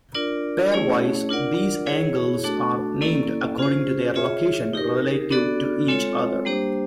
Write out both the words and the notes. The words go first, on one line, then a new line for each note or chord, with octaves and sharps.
Pairwise these angles are named according to their location relative to each other.
D4 F4 A#4 D5
A3 C#4 E4 G#4 C#5
D4 F4 A#4 D5 F#5
E4 G#4 C#5
A3 D4 F#4 A4
A#3 C#4 E4 A4 D5
C#4 F4 G#4 C5
F4 G#4 C#5 E5
D#4 G4 A#4
B3 D4 F#4 A4 D5
G#3 C4 F4 A4 C#5
G3 A#3 D4 G4 C5